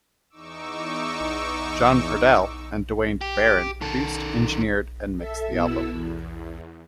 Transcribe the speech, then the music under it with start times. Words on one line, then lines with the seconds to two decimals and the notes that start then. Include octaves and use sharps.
John Purdell and Duane Baron produced, engineered and mixed the album.
0.30 E2 D#4 C#6 D6 E6
3.21 G4
3.81 D#3 A4
5.17 A4 E5
5.49 B2 B3 E4 A4 E6
5.90 E2